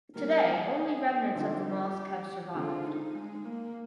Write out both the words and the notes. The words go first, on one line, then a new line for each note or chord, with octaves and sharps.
Today only remnants of the mosque have survived.
D#3 G3 A#3 A#4
G#4
D3 F3 C4 D#4 G4
D3 G#3 C4 F4
D#4
G#3
A#3